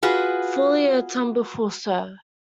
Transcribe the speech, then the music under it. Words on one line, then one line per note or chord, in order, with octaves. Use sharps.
Fully a tumblerful, sir.
F4 F#4 G#4 B4